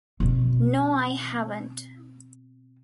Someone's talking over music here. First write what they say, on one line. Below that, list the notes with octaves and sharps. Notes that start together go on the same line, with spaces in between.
No, I haven't.
B2 C4